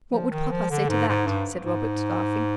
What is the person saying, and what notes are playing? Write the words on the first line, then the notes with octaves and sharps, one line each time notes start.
"What would papa say to that?" said Robert, laughing.
F3
D#3
F3
D3
G#2
G#2
G2
G#2